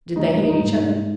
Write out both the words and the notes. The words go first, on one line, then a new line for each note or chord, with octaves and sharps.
Did they hate each other?
G3 D#4
E4
G3 D#4
D#4
G#2
G#2